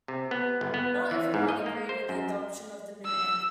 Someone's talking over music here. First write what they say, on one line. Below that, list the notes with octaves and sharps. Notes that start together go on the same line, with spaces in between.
Not everyone agreed with the adoption of the new anthem.
C3
B3
G1
B3
E3
G#2
D#5
A#3
C5
F#2
E6